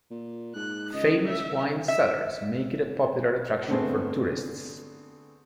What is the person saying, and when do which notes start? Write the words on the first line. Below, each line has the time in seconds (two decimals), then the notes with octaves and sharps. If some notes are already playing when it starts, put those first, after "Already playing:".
Famous wine cellars make it a popular attraction for tourists.
0.11 A#2
0.55 G#2 F#6
0.93 C#2 D#5
1.26 E5
1.88 E5
3.68 D3 A3 B3 C4 G#4